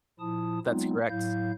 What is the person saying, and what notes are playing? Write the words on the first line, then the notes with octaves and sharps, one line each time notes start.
That's correct.
A#2 F3 E4 A5 D#6
F#3 G#3 B3 C4 D#4 F4
A2 F#3 E4 F5 G6